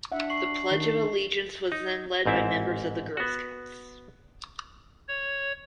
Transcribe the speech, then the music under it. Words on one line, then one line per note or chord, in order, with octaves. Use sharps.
The Pledge of Allegiance was then led by members of the Girl Scouts.
D4 E5 F#5
C#6 C7 F#7
D#3
D#4
A1 G#2 C4 E4 E5
B3 F#4
C#5